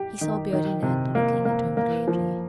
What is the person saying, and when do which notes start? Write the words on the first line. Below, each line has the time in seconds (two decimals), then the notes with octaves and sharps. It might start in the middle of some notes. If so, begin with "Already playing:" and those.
He saw Beardy Ned looking at him gravely.
Already playing: G4
0.21 D#3
0.53 D#3
0.83 C3
1.15 A#3
1.45 A#3
1.77 A#3
2.08 F3